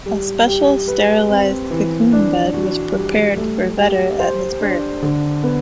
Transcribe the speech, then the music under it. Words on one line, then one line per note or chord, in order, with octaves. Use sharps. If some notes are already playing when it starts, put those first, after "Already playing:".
A special sterilized cocoon bed was prepared for Vetter at his birth.
G3
G4
B4
C4
E3
D4
F#4
G3
A3
G4
C5
D4
D3
B3